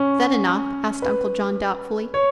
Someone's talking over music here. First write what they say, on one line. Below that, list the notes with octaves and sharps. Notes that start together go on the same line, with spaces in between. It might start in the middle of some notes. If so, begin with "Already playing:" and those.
"Is that enough?" asked Uncle John, doubtfully.
Already playing: C#4
B4
C#5